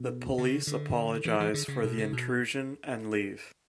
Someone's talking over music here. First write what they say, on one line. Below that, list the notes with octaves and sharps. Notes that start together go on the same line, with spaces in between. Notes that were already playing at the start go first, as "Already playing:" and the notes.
The police apologize for the intrusion and leave.
Already playing: B2
C#3
D3
E3
E3
D3
C#3
B2
C#3
B2